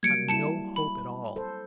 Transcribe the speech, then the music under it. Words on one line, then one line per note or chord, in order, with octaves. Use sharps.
I have no hope at all.
F#3 G3 A#3 G#6 C#7 D7
G3 E4 A5 C#7 E7
B5
A4 C5